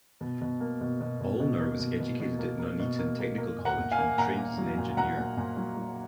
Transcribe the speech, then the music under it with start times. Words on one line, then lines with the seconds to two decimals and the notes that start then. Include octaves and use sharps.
Olner was educated at Nuneaton Technical College and trained as an engineer.
0.21 B2
0.41 B2
0.60 A#3
0.81 B2
1.00 B2
1.20 B2
1.40 B2
1.60 A#3
1.79 B2
2.00 B2
2.20 B2
2.39 A#3
2.59 A#3
2.79 B2
2.99 A#3
3.19 A#3
3.38 A#3
3.58 A#2
3.65 F#5 A#5
3.79 A#2
3.91 F5 G#5
3.98 A#3
4.18 A#2 F#5 A#5
4.37 A#3
4.58 F#3
4.78 A#2
4.97 A#2 F#5 A#5
5.17 A#2
5.37 A#2
5.57 F#3
5.77 F#3